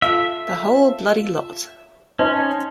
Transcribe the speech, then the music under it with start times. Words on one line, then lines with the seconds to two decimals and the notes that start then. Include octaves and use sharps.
The whole bloody lot.
0.02 F4 A4 E5
2.19 C#4 D#4 C5 A5